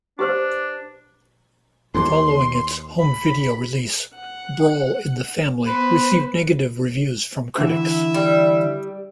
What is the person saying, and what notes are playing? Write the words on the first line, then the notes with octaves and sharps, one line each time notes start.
Following its home video release, "Brawl in the Family" received negative reviews from critics.
D4 G4 B4 C5
D#2 C6
B5
F#5
B3 B4 C5
D3 E3 E4 E5
G3